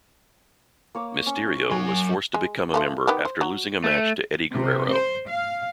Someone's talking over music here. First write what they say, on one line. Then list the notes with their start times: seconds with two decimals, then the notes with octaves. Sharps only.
Mysterio was forced to become a member after losing a match to Eddie Guerrero.
0.95 A#3 C#5 D6
1.26 C#4 C#6
1.71 F#3 C#5 G#5
2.34 G#3
2.74 F3 A3 C5
3.07 D#3 B3 G4
3.25 C5
3.41 F#3
3.84 A3
4.51 C3
4.93 C5
5.29 F5